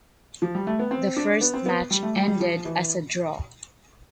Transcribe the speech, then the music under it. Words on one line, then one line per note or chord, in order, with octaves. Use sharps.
The first match ended as a draw.
F3
G3
A3
B3
C4
D4
B3
C4
B3
G3
A3
G3
G3
F3
E3